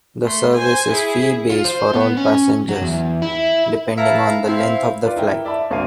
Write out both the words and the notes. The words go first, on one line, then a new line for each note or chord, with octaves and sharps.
The service is fee-based for all passengers, depending on the length of the flight.
A3 C6
C5 G#5
E4 G#4
F4
C5
B3
C#4
F#3
E2
E4
E4 B4 E5 F5 A5 A#5
C4 E4 F5
F4 B4 D5
E4 A#4 G5
D5 E5 A5 B5
G#1 D2 A#3 D4 F5 D#7